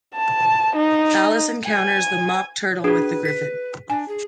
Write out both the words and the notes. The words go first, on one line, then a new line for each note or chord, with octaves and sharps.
Alice encounters the Mock Turtle with the Gryphon.
A5
D#4
G#5
D4 F#4 G#4 B4
B6
D4 G#5
G#4